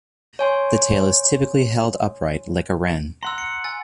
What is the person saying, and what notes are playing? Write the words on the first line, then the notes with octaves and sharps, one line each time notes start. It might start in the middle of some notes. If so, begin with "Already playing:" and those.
The tail is typically held upright, like a wren.
C#5 G#5 C6
F#5 A#5 C6 E6
C#7
G#5 E6 A6